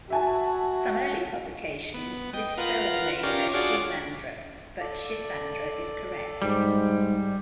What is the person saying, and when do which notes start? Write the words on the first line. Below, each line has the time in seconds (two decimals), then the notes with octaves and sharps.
Some early publications misspell the name as "Schizandra," but "Schisandra" is correct.
0.10 F#4 E5 G#5 A5
1.94 B3
2.33 D#5 G5
2.58 F4 A#4 B4 F#5
3.23 C#4 F4 G4 A#4 D5
3.54 D4 F4 F#4 G#4 C#5 D5
4.80 A4 D5
6.42 G#2 G3